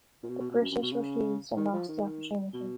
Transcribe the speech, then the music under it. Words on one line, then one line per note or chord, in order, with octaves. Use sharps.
The British refused and lost the opportunity.
A#2
B2
B2
B2
F#2
F#2
B2
C#3
D#3
F3
D#3
B2